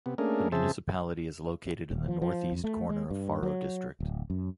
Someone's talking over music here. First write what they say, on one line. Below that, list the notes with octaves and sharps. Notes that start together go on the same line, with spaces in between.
The municipality is located in the northeast corner of Faro District.
C3 B3
A3 A#3 C#4 D4 G#4 A#4
F2 C#3 G#4 C5 E5 A5
D#1
F3
F3
F2
A3
G#3
G2
F#3
D1
F#2